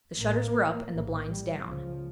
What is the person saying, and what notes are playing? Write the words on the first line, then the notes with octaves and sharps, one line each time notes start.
The shutters were up and the blinds down.
A1 A2 A#3
A#1 A2
G3
C#2 C#3 F3